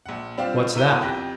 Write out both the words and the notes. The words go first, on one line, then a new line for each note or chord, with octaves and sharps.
"What's that?"
A#1 F#5
G3 C4 D4 F4 G4 F5
B2 E4 A#4 D#7 G7
F2 G4 F#6 A#6